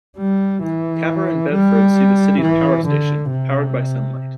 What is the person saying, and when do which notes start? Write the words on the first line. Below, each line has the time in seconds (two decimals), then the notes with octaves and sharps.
Cavor and Bedford see the city's power station, powered by sunlight.
0.17 G3
0.63 E3
1.52 G3
2.42 E3
2.86 D3
3.30 C3